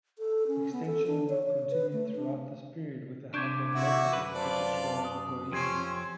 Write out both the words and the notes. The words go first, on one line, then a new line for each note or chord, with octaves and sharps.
Extension work continued throughout this period with the help of local ex-British Rail employees.
A4
C#4
B3
A4
D4
C#5
C#5
B4
A3
D4
C3 D4 C#6 D6 G6 G#6
E4 F#4 E5
F#2 B4
F4 C5 D5 A5
D#6
F2 C4 C#4 G4 C6 G#6 C7